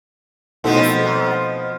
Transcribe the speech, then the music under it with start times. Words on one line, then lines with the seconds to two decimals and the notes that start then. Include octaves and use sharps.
just nod,
0.64 B2 F3 A3 B3 C4 D#4